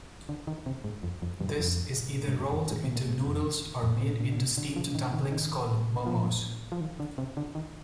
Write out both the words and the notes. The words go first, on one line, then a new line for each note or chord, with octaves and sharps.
This is either rolled into noodles or made into steamed dumplings called momos.
D3
D#3
C3
G#2
F2
F2
G2
F2
G#2
G2
F2
G#2
C3
A#2
G#2
F2
F2
C3
A#2
D3
C3
D3
F3
D#3
D#3
D#3
F3
F3
D#3
D3
C3
D3
D#3